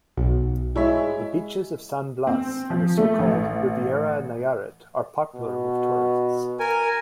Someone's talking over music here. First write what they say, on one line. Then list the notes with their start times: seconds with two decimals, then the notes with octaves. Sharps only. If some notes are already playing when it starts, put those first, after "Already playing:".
The beaches of San Blas and the so-called "Riviera Nayarit" are popular with tourists.
0.17 B1
0.76 G#3 E4 C#5 E5
2.27 C4
2.70 F3
2.97 A3
3.19 A1
5.35 B2
6.59 A#4 G#5